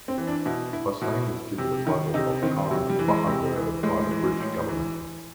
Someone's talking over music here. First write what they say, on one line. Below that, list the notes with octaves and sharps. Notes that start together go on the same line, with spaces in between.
Hossain was given the title of Khan Bahadur by the British Government.
C4
E3
D4
B2 E4
E4
B2 E4
C3
D#3
C3 D#4
D#3 C4
C3 F#3
G3
E3
G#3
C3
E3
A2 G#3
E3
A2
E3